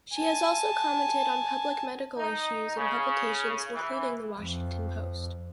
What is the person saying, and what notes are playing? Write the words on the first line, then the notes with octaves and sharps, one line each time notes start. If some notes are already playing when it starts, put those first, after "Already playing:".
She has also commented on public medical issues in publications including the "Washington Post".
G#5 A5
D#4
C#3
E3
F2